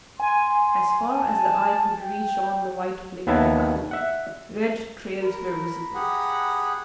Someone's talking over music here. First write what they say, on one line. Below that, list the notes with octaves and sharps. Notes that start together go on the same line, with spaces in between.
As far as the eye could reach on the white plain behind, red trails were visible.
G#5 C6
A5
G5
D#2 B3 C#5 E5 A5 A#5
E5 F#5
A#4 A#5 B5
G4 G#4 F#5